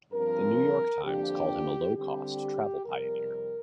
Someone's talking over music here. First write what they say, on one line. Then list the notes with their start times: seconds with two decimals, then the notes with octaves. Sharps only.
The New York Times called him a low-cost travel pioneer.
0.12 G2 F3 C4 A#4
1.03 F2 D3 F3 A#3 D4 G4
1.95 D3 G3 C4 G4
2.85 F2 C3 G3 A#4